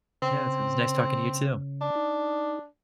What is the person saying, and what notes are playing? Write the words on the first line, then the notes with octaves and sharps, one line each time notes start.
Yes, it was nice talking to you too.
C#3 C4
D4
D#4